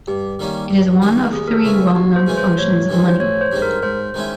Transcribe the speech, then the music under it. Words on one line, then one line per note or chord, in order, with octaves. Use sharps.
It is one of three well-known functions of money.
G2 G4
D#3 G3 A#3 C#4
G2
D#3 G3 A#3 C#4
D#2 G#4
A#4
A4
C#3 E3 G#3 C#4
D#2 F#4
C5
C#3 E3 G#3 C#4
C5
A1 C#5
G2 D#3 G#3 C4
C5
A1 C#5
C5
G2 D#3 G#3 C4
A#4
G#2 C5
D#3 G#3 C#4 E4